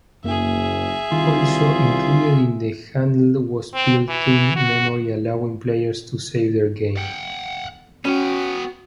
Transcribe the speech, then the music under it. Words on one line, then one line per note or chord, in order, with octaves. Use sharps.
Also included in the handheld was built-in memory allowing players to save their game.
F#1 F#2 A#3 G#4 E5
C2 D#3 F4
C4
E3
F#4
F#5 G5
B3 C#4 F#4 G5